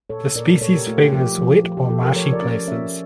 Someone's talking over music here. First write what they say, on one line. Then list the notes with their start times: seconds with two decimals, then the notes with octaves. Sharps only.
The species favours wet or marshy places.
0.10 A#2 A4 C#5
0.36 A#2 A#4 D5
0.61 A#2 A4 C#5
0.74 G4 A#4
0.87 A3 F4
1.00 G4
1.13 F3 G4
1.38 F3
1.64 F3 F4
1.77 G4
1.90 F3 F4 A4
2.03 G4 A#4
2.16 F3 A4 C#5
2.33 A#4 D5
2.42 C#4
2.67 C#4 C#5 E5